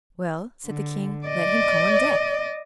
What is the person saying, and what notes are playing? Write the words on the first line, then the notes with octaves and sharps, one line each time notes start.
"Well," said the King, "let him come on deck."
D3
D5 D#5